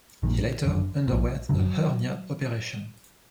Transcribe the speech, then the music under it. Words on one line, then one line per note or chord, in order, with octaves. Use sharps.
He later underwent a hernia operation.
A#1 A#2 D#3
G1 F#2 D3
A#1 A#2
G1 F#2 D3 F#3